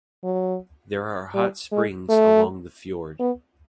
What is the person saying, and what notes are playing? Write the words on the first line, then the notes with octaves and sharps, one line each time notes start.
There are hot springs along the fjord.
F#3
G3
G#3
A3
B3